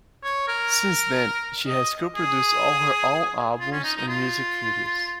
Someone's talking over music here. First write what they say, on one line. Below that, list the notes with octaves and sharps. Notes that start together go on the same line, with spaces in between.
Since then, she has co-produced all her own albums and music videos.
C#5
A#4
D#5
G#4
F4
C#4
D#4
D#4
F4